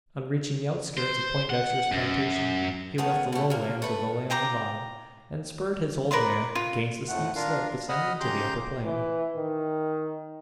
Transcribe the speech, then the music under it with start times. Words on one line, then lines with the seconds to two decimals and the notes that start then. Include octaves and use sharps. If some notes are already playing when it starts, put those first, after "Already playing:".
On reaching the outskirts of Poindexter's plantation, he left the low lands of the Leona bottom, and spurred his old mare 'gainst the steep slope ascending to the upper plain.
0.97 C5
1.50 F#5
1.92 F#2
2.98 D#3 A3 B3 G#4
3.33 B2 A3
3.50 C3 A#3
3.82 A3 B4
4.30 F5 G5 A#5 D6
6.11 A#4 B4 D5 C6
6.55 F4
7.08 F2 A2 A3 F#5
7.35 D4 F4 A#4 F5
7.89 D#5 F#5 B5 D#6 F6
8.20 C#3 G4 A#5 C6 D6 G6
8.85 E3
9.37 D#3